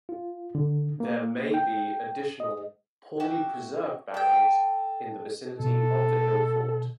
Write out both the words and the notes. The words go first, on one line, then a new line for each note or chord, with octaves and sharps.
There may be additional poorly preserved barrows in the vicinity of the hill fort.
F4
D3
A#3
G5
D#5
F#4 G4 E5
A4 G5
B2 A4